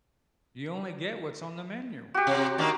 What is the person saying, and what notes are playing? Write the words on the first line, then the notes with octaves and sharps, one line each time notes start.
You only get what's on the menu.
F#4 G4
C3
D#3 A#3 D4